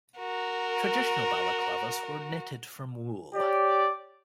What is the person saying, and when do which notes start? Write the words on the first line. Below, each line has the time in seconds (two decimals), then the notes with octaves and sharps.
Traditional balaclavas were knitted from wool.
0.19 F#4 A#4
3.34 G4 C#5 D5